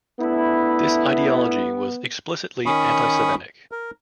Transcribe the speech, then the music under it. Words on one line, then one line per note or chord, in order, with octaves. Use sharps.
This ideology was explicitly antisemitic.
A3 B3 D4 E4
D#3 C#4 B5 C#6 D#6
A#4